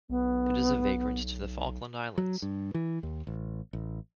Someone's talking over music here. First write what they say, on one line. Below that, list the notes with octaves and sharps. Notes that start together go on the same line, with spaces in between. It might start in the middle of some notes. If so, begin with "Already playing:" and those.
It is a vagrant to the Falkland Islands.
B1 B3
F#3
G2
E3
D#2
A1
A1